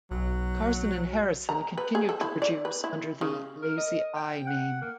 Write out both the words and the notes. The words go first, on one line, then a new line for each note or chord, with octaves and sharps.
Carson and Harrison continue to produce under the "Lazy Eye" name.
B1 F#3
A#5
B4
G#4
A4
E4
D5
B4
E4
C#3
A#4
D#5
G5
F#5
A#3